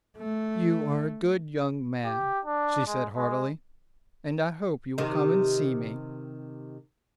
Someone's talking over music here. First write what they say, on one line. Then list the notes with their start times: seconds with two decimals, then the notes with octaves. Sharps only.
"You are a good young man," she said heartily. "And I hope you will come and see me."
0.17 A3
2.05 G4
2.45 D4
2.87 G#3
3.17 G#3
4.98 C3 D#3